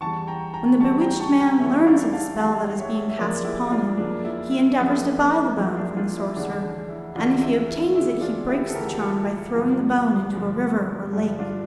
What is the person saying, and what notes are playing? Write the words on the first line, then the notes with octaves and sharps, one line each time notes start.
When the bewitched man learns of the spell that is being cast upon him, he endeavours to buy the bone from the sorcerer, and if he obtains it he breaks the charm by throwing the bone into a river or lake.
E2 E3 G3 A5 C#6
G5 A#5
G5 A#5
E2 E3 G3 A5 C#6
G5 A#5
A5 C#6
G5 A#5
E2 E3 G3 C#5 E5
D5 F5
F5 A5
E2 E3 G3 F5 A5
C#5 E5
E5
F2 C#3 F3 A#3 A#4 D5
E4 G4
D4 F4
F2 C#3 F3 A#3 D4
E4
E4
F2 C#3 F3 A#3 E4
D4
F2 C#3 F3 A#3 E4
D4 F4
D4 F4
E4
D2 C#3 E3 D4
D4
E4
D2 C#3 E3 D4 F4
E4
E4
D2 C#3 E3 E4
D4 F4
E4 G4
A4
D2 C#3 E3 G4 A#4
F4 A4
G2 D3 F3 D4 F4
G2 D3 F3
G2 D3 F3
D4 F4